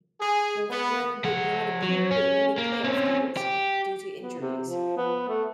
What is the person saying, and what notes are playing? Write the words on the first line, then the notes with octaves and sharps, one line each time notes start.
Boughner did not appear in any playoff games due to injuries.
G#4
B3
F3 F#5
F#3
C#4
A#3
C4 C#4
G4
B3
C3
F3
B3
A3